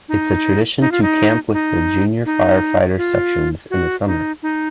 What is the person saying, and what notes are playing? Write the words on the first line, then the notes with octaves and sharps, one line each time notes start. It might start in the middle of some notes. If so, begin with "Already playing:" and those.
It's a tradition to camp with the junior firefighter sections in the summer.
D#4
D#4
F4
D#4
D#4
D#4
F4
F#4
D#4
D#4